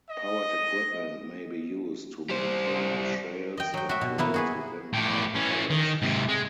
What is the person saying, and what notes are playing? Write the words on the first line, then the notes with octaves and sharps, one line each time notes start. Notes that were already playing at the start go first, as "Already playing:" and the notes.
Powered equipment may be used to maintain trails and roads within Wild Forests.
D#5
G3 C5
D#5 G5
F#3 G5
F#4 E5
B2
A#3 B3 E4 E5
F#4 G#4 B4
A2 G4
E3 C#4
D#3
G#2 C3
G#3